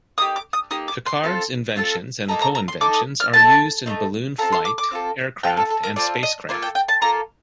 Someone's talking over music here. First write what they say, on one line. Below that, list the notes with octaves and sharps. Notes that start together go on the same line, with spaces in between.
Piccard's inventions and co-inventions are used in balloon flight, aircraft and spacecraft.
A#3 D#4 G4 D#6
D6
D#6
A#3 D#4 G4 D#6
D6
C6
C4 F4 A4
C4 F4 A4
A#3 D#4 A4 A#5
A#5
A#5
C6
A#3 D#4 A4 D6
D#6
F6
A3 C4 D#4 A5
A3 C4 D#4
C4 F4 A4 A#5
C6
D6
D6
C4 F4 A4
C4 F4 A4 G5
A4
A4
A#4
C4 F4 A4 D5
D#5
A#3 F4 A4 C5
G5
G5
A5
A#3 F4 A4 A#5